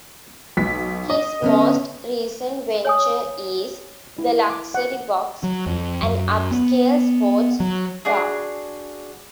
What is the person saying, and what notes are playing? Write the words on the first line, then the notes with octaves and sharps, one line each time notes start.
His most recent venture is "The Luxury Box", an upscale sports bar.
B1 B6
D#5
D3 B3 C#4
C#5 G#5 D#6
E4
D6
F#5
F#3
F2
F#2
B3
F#3
D4 F#4 G#4